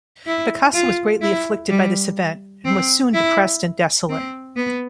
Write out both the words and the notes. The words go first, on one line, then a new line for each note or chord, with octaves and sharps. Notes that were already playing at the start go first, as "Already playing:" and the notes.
Picasso was greatly afflicted by this event and was soon depressed and desolate.
E4
F4
E4
G3
C4
E4
C4
B3